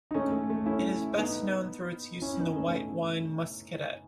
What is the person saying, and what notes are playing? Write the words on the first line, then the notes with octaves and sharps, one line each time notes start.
It is best known through its use in the white wine Muscadet.
D#4
A3 C#4
A3
A3
C#4 E4
B3 D#4
C#4 E4
B3 D#4
A3 C#4